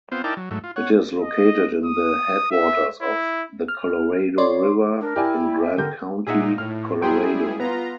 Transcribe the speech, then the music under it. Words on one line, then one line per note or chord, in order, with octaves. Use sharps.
It is located in the headwaters of the Colorado River in Grand County, Colorado.
B3 C4 F4 C5
D#4 E4 A#4 D5 G5 A5
F#3
G#2 F#3 A3
F4
C#5 F#5
D#5
D#6
E5
E4
F6
C#5 D5 C6
D4 A#4
E4 G4 D5 G#5
B5
E5
D3 G4 A#4 G6
A#2 D#4 G#4 E5 F#5
A2 F6
F#3 G3 E4 G#4 G5 C6
B3 F4 A#5